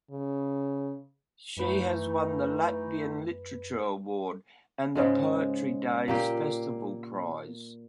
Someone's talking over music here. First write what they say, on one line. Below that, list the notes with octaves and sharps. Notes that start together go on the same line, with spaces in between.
She has won the Latvian Literature Award and the Poetry Days Festival prize.
C#3
F#2 E3 A3 D#4 B4
G#2 C#3 G#3
A#2 A#3 G4